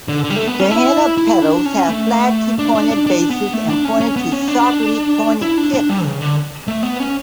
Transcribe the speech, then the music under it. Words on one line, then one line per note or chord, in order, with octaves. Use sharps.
The inner petals have flat to pointed bases and pointed to sharply pointed tips.
D3
D3
G3
A3
B3
C#4
E4
E4
D4
C#4
A3
D4
D4
D4
D4
B3
A3
D4
C#4
C#4
B3
C#4
D4
E4
D4
D4
G3
C#3
D3
A3
B3
C#4